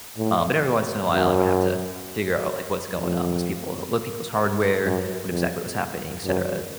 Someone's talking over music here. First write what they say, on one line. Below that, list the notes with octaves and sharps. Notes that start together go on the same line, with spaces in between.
Um, but every once in a while, I would have to figure out, like, what's going on was people load people's hardware, what exactly was happening, etcetera,
A2
F#2
F2
F#2
F2
F#2